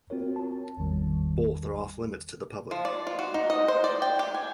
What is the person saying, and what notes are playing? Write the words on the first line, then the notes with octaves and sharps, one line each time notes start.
Both are off limits to the public.
C4 F4 F#4 A#4 C#5
A5
G#1 E2 D#3 G3
F3
D5
F4
F#4
D#4
D#5
C5
D5
G5
G4
G#5